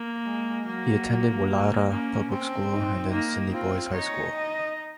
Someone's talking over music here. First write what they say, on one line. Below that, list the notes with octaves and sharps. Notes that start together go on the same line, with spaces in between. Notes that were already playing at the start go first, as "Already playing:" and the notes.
He attended Woollahra Public School, and then Sydney Boys High School.
Already playing: A#3
G#3
F#3 A#3
A#3 C#4
C4
D#4
A#3 D#4
C4 F4
D#4 C#5
D#5